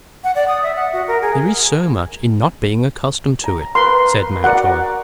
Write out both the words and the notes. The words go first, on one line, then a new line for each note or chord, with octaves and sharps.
"There is so much in not being accustomed to it," said Mountjoy.
F#5
D5
D#6
E5
F#5
F#4
A#4
G#4
A#5
A#4 B4 C6
F#4 A#4 D5 F#5